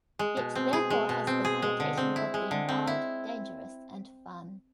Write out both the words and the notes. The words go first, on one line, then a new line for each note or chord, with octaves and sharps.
It therefore has the connotation of being wild, dangerous, and fun.
G#3
B2
C4
G#4
G#3
B2
C4
G#4
G#3
D3
C4
E4
G#3
D3
C4
E4